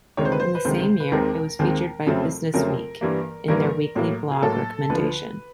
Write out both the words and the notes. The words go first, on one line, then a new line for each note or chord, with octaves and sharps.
In the same year, it was featured by "BusinessWeek" in their weekly blog recommendation.
D2 C3 D#3 G#3 C#5
C5
B4
C5
B4
D2 C3 D#3 G#3 C5
B4
D#2 D#3 G#3 C4 A#4
D#2 D#3 G#3 C4
F2 C#3 F#3 A3 C4
F2 C#3 F#3 A3 C4 A#4
G2 E3 G3 A#3
G2 E3 G3 A#3 A#4
A2 F#3 A#3
G#4
A2 F#3 A#3 A4
D2 D3 F3 B4